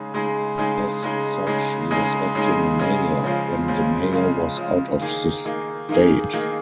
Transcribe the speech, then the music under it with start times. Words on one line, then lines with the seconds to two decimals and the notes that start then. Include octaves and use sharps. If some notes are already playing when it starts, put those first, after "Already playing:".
As such he was acting mayor when the mayor was out of the state.
Already playing: C#3 G#3 D#4 G#4
0.14 C#3 G#3 D#4 G#4
0.58 C#3 G#3 D#4 G#4
1.03 C#3 G#3 D#4 G#4
1.47 C#3 G#3 D#4 G#4
1.91 C#3 G#3 D#4 G#4
2.35 C#3 G#3 D#4 G#4
2.79 C#3 G#3 D#4 G#4
3.24 C#3 F3 G#3 F4
3.68 C#3 F3 G#3 F4
4.13 C#3 F3 G#3 F4
4.57 C#3 F3 G#3 F4
5.01 D#3 A#3 D#4 G#4
5.45 D#3 A#3 D#4 G#4
5.89 D#3 A#3 D#4 G#4
6.33 D#3 A#3 D#4 G#4